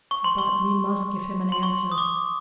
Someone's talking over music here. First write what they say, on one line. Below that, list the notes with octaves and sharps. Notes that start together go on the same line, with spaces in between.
"But we must give him an answer."
C#6
C6
C#6
C6
C#6
D#6
D6